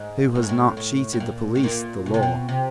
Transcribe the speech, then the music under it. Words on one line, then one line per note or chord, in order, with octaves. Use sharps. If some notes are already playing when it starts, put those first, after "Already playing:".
Who has not cheated the police, the law?
Already playing: G#2
A2
G#2
A2
A2
A2
A#2
A2
A#2
B2
C3
B2
C3